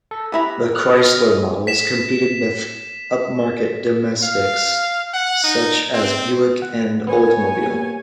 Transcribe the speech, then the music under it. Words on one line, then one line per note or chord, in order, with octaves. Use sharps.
The Chrysler models competed with upmarket domestics such as Buick and Oldsmobile.
A4
B3 E4 G4 A#5 B5
F6 F#6
D#5 D#6 F6
B6 E7
F5
F#5
D#4
C4
F#5
B3 C#5 G#5
A#3 G4